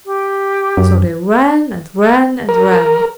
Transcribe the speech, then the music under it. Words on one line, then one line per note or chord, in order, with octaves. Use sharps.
So they ran and ran and ran.
G4
F#2
A#4